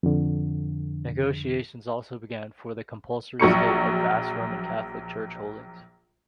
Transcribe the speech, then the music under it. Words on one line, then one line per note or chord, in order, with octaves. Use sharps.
Negotiations also began for the compulsory sale of vast Roman Catholic Church holdings.
F2 D3
A#1 F#3 C#6 C#7